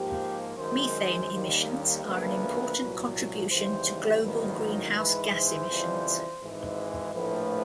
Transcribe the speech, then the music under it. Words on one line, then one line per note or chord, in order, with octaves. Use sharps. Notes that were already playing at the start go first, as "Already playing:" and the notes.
Methane emissions are an important contribution to global greenhouse gas emissions.
Already playing: G#2 F3 A#3 G4
F#2 D#3 G#3 C5
D#2 D#3 G3 A#3
D2 C#3 F3 A#3 B4
C2 A#2 F#3
D#2 C#3 E3 G3 C5
A1 G#2 D#3 F#3 A#3 B4
G#2 E3 G#3 B4
C5
F2 C#3 E3 G3
G#1 G#2 E3 G#3
A#1 A2 F3 A3 B4